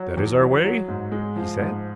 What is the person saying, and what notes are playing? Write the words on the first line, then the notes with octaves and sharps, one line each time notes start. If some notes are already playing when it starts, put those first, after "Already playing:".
"That is our way," he said.
Already playing: F#3
E2
F#3
F#3
G#2
G#3
F3
G#2